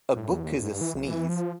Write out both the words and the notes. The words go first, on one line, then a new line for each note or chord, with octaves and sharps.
A book is a sneeze.
A2
E2
D#2
G2
E3
B1
E3
F3